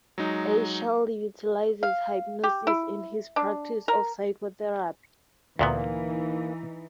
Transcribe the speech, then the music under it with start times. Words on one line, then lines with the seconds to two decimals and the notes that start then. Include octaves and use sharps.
Eichel utilizes hypnosis in his practice of psychotherapy.
0.18 F#3 G#3 D#4
1.83 F5
2.44 G4
2.67 E4
3.36 D4
3.88 A#4
5.59 D2 A#2 E3 A#3 B3 D#4